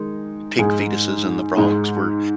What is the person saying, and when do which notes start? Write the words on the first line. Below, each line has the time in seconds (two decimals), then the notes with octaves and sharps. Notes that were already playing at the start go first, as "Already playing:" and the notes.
p pig fetuses and the frogs were
Already playing: D#3 G#3 D#4
0.59 G#2 G#3 D#4 G#4
1.56 G#2 G#3 D#4